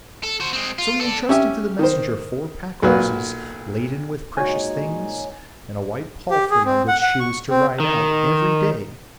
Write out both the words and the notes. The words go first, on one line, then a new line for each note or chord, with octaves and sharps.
So he entrusted to the messenger four pack-horses laden with precious things, and a white palfrey on which she was to ride out every day.
A4
F#4 C5
G#3 C4
F4
A4 D5
C#4 G4 E5
D#3 C5
B1 A#2 F#4 B4
A#2 G#3 D#4 F#4 C#5 G#5
G4
G#4
C4
F#5
F#5
C#6
C4
D#3